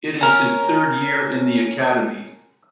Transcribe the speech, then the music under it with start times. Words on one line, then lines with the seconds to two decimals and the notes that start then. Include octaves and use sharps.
It is his third year in the academy.
0.21 C#4 A#4